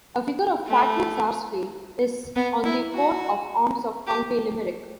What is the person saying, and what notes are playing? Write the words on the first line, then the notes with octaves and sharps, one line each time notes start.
A figure of Patrick Sarsfield is on the coat of arms of County Limerick.
A3
B3
E4
F#4
G4